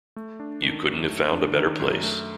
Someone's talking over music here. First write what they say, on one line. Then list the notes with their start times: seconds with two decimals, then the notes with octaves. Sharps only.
You couldn't have found a better place.
0.16 A3
0.40 D4
0.63 D#3
0.87 F#2
1.10 A3
1.33 D4
1.57 D#3
1.80 F#2
2.03 A3